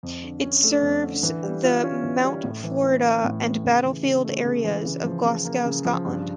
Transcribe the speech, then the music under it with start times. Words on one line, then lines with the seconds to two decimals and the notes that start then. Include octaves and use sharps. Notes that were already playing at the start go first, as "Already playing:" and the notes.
It serves the Mount Florida and Battlefield areas of Glasgow, Scotland.
0.03 F2
0.23 D3
0.43 C#4
0.63 A3
0.83 F2
1.03 D3
1.23 E3
1.43 G3
1.63 F4
1.84 C#4
2.04 E3
2.23 G3
2.44 A2
2.64 E3
2.83 C#4
3.04 A3
3.24 A2
3.44 E3
3.64 C#3
3.85 E3
4.05 C#3
4.24 A3
4.45 C#3
4.64 E3
4.85 C#3
5.05 F3
5.25 C#3
5.45 A#3
5.65 C#3
5.85 F3
6.05 G2